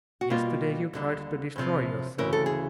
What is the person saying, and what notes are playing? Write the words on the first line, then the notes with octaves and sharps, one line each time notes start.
Yesterday you tried to destroy yourself.
F#4
B2 G3 A#3 F4
D#2 D3 G3
E2 C3 F3
D2 C#3 E3 A#4
A4
G#4